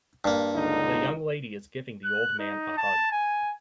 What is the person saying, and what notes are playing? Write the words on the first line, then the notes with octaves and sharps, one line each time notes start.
The young lady is giving the old man a hug.
G2 A#3
C#2 D3 D#4
F#6
D#4
A5
G#5